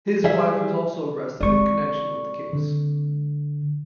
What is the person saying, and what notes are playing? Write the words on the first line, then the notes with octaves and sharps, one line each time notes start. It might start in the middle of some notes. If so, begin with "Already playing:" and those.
His wife was also arrested in connection with the case.
G3 G#4 E5
G#3 C4 D5 C#6
D3